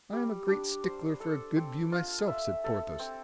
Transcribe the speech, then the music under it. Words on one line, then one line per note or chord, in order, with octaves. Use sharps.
"I am a great stickler for a good view myself," said Porthos.
G3
D4
C5
A4
C4
F4
E5
A4
C4